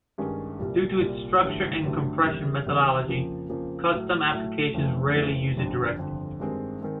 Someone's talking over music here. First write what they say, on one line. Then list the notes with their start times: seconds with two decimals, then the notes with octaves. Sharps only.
Due to its structure and compression methodology, custom applications rarely use it directly.
0.18 G2 D#3 G#3 C#4
0.59 C2 A#2 G3
1.00 C2 A#2 G3
1.43 A1 G2 D3 F#3 A3
1.83 A1 G2 D3 F#3 A3
2.25 E2 C3 D#3 G3
2.66 E2 C3 D#3 G3
3.08 F2 C#3 F3 A#3
3.49 F2 C#3 F3 A#3
3.91 A2 F#3 A3
4.32 A2 F#3 A3
4.74 F1 F2 C#3 E3 A3
5.15 F1 F2 C#3 E3 A3
5.57 G1 F2 D3
5.99 G1 F2 D3
6.40 G2 D#3 G#3 C4
6.81 D#3 G#3 C4